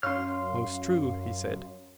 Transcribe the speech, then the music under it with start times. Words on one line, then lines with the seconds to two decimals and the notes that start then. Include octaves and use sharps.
Most true, he said.
0.03 F#2 C#4 C#5 F5 C6 F6